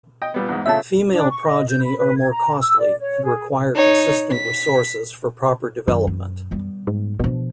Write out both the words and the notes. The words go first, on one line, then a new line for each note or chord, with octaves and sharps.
Female progeny are more costly and require consistent resources for proper development.
D#5 G5
A#2 G3 B3
E2 G#2
A#2 C#3 A3 E5 A5
D4
C#6
D#5
G6
B5
B4
G#6
A#5
E6
D5
C#5
G#4
D#4 C#5
B6
F#2 D#3
C4
G3 B3
G#2
B2 F3 D4